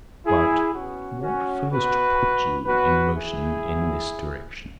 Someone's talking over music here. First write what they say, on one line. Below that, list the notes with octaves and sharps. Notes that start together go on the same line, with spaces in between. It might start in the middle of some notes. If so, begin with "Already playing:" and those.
"But what first put you in motion in this direction?"
E4 G#4
B2 B3 C#4 F#4
C#4 F#4
B2 B3 F#4 B4
B2 F#3 B3 F#4 B4
E4 G#4
G#2 F#3 B3